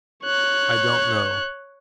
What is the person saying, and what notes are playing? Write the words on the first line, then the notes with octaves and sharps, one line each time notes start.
I don't know.
C#5 F#6